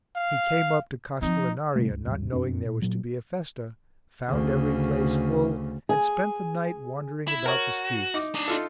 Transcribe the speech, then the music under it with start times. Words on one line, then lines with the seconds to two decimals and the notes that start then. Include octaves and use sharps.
He came up to Castellinaria, not knowing there was to be a festa, found every place full and spent the night wandering about the streets.
0.16 F5
1.22 F3 C4 D#4
1.76 C3 G3 A3
1.90 C#2
2.06 A1 D#2 G#2 G3
2.32 F1 F#2 C4 D4
2.66 A#2
2.82 A#2 F#3
4.28 D2 C#3
5.89 G#4
7.27 E4
7.46 F#4 A#4 C#5
8.14 D#4 D6
8.35 D4 D#5
8.48 D#4 F4 A4